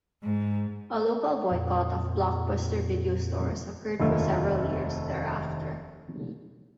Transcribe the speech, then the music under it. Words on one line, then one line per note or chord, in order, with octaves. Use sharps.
A local boycott of Blockbuster Video stores occurred for several years thereafter.
G#2
F2 A#2
F1 D#2 D3 A3 F4